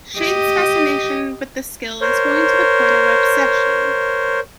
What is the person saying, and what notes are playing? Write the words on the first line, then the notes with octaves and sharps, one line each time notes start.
Chade's fascination with the Skill is growing to the point of obsession.
G4 D#5
A#4 C5 C#5